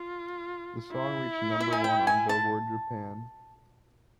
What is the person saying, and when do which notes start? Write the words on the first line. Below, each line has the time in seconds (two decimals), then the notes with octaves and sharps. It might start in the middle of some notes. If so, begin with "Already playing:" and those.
The song reached number one on Billboard Japan.
Already playing: F4
0.92 E4
1.61 E5
1.73 G#5
1.84 G5
2.07 G#5
2.29 A5